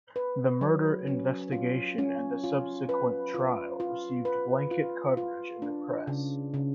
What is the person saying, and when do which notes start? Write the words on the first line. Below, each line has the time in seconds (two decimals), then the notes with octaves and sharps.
The murder investigation and the subsequent trial received blanket coverage in the press.
0.16 B4
0.61 F#3
1.07 C#4
1.52 F4
1.98 C#4
2.44 F4
2.89 B4
3.35 F4
3.80 F4
4.25 B4
4.71 F4
5.17 F4
5.62 D4
6.07 C#3
6.54 C#3